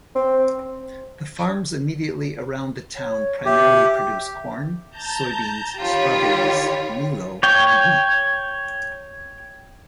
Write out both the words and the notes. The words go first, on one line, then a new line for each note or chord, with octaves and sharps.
The farms immediately around the town primarily produce corn, soybeans, strawberries, milo, and wheat.
C4
C#5
G4 E5
A5 A#5 G6
D#3 F4 G4 C#5 B5
C#5 G5